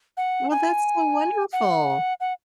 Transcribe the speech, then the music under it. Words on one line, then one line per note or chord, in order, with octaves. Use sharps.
Well, that's so wonderful.
F#5
G#5
F#5
F#5